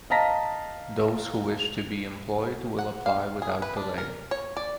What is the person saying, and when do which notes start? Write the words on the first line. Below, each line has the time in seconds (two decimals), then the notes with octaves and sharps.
Those who wish to be employed will apply without delay.
0.10 D#5 F5 A5 A#5 A#6 B6
2.79 F#5
3.06 F5
3.42 G#4
3.62 B4
3.77 D4
3.98 A#4
4.31 C#5
4.57 D5